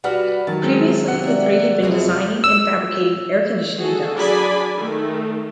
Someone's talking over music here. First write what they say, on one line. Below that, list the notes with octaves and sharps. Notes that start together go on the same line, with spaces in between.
Previously the three had been designing and fabricating air conditioning ducts.
G3 F#4 B4 F#5 F6
D#3 F#3 A5
G#3 C4 C#4
C3 F#5
D5 E5
F1 F3 C4 G#4 E5
E6
F#4 G#4 A4
F#3 D4 G#4 D5 G#5 B5
D#3 A3